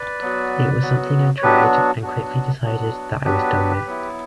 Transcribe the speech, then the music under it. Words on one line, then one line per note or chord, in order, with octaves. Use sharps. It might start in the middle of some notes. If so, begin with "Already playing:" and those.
It was something that I tried and quickly decided that I was done with.
Already playing: B4 D5
F#3 B3 F#4
F#3 B3 F#4
C#5
F#3 B3 D4 F#4 G4 B4
F#3 B3 D4 F#4
F#3 B3 D4 F#4
F#3 B3 D4 F#4 G4 B4
F#3 B3 E4